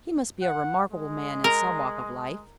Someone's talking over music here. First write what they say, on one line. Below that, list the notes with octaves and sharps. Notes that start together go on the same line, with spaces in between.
He must be a remarkable man in some walk of life.
F#5
G#3
A#4